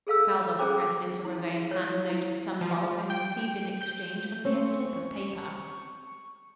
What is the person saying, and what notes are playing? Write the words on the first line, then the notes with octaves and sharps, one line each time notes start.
Baldos pressed into Ravone's hand a note of some bulk and received in exchange a mere slip of paper.
G#4 A4 F5 E6
C#4 G#4 A#4 C5 G5 D6
E4
C#5
E4
F3
G5
G6
C4 C#4 C#6